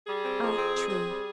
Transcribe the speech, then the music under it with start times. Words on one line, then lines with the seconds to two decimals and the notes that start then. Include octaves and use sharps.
"Ah, true."
0.07 G3 G#4
0.24 C4
0.41 F2
0.57 C4
0.74 F2
0.90 C4
1.07 G3